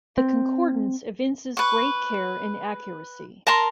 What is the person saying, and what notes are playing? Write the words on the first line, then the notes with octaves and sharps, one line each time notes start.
The Concordance evinces great care and accuracy.
C4
B4 C#6
A#4 A5 A#5 C6